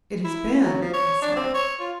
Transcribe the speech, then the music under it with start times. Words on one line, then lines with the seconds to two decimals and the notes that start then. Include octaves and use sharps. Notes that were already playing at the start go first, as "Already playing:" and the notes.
"It has been," I said.
0.24 E4
0.63 F#3
0.81 F3
0.94 C#5
1.22 D4
1.36 C4
1.54 C#5
1.80 F4